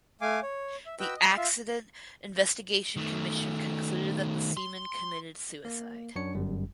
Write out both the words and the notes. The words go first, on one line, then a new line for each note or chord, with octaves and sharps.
The Accident Investigation Commission concluded that the seaman committed suicide.
A3 F5 G#5 D6
C#5
E5
F#4 B4 D#5 G5 E6
D#5
F4 E5 F5
D#3 A3
C6
A#3
F#2 D4 C#5 C#7
G1 F#2 G3